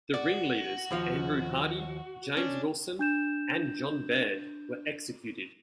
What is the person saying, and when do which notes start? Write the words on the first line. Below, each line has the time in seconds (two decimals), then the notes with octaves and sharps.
The ringleaders, Andrew Hardie, James Wilson and John Baird were executed.
0.14 F#4 D5
0.91 D#2 F3 F4
2.37 C#4 D4
2.99 D4 G6 E7